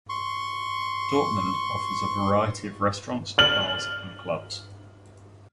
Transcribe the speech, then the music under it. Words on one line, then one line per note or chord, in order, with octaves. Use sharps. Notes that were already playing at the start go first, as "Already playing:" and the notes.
Dortmund offers a variety of restaurants, bars and clubs.
C6 C#6
F6 F#7